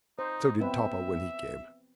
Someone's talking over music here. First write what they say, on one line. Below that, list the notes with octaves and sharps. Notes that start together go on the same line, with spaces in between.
So did Topper when he came.
D#4 C5
B3 C4 B4 E5